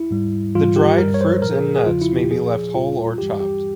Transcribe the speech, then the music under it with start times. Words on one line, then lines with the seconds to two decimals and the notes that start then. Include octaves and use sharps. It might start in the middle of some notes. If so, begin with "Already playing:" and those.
The dried fruits and nuts may be left whole or chopped.
Already playing: E4
0.11 G#2 G3
0.55 G#2 E3 G3 F4
0.76 G4
0.98 G2 G3 A#4
1.14 C#5
1.21 C5
1.42 A#2 F3 A#4
1.54 G#4
1.76 G#4
1.86 E2 C#3 F3 F4
2.01 E4
2.16 G4
2.30 A#2 F3 G#4
2.74 A#2 G3 F4
3.18 G2 E3 G3 G4
3.40 G4